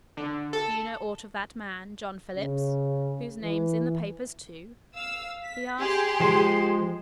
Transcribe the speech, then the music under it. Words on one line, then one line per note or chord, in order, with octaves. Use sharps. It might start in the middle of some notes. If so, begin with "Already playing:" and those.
"Do you know aught of that man, John Phillips, whose name's in the papers too?" he asked.
D3
A4
C#3
E3
F5 E6
B6
G4 G#4 C6
F3 G#3 C5